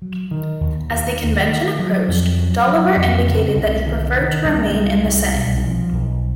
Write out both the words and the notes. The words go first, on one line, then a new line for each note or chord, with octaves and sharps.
As the convention approached Dolliver indicated that he preferred to remain in the Senate.
F#3
D#3
D#2
D#2
D#3
D#3
F#3
F2
F#3
F#3
F2
C#3
C2
D#3
D#3
C2
C3
C2
B1
F3
B1